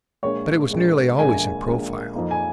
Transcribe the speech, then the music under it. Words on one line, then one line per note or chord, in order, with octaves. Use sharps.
But it was nearly always in profile.
A#1 A#2 G#3 C#5
A#1 A#2 G#3
A#1 A#2 G#3 G#5
A#1 A#2 G#3
F2 F3 A#3 D#4
G#5